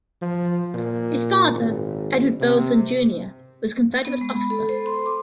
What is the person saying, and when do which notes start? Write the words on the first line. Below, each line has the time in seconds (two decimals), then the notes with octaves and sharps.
His father, Edward Burleson, Junior was a Confederate officer.
0.22 F3
0.74 A#2
1.54 G#1
2.40 C3
4.05 B3
4.21 G#3
4.35 B5
4.50 A4
4.69 C5
4.86 C6
5.06 D6